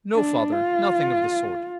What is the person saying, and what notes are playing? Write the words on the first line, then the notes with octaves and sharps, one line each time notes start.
'No, father, nothing of the sort.
D4
F4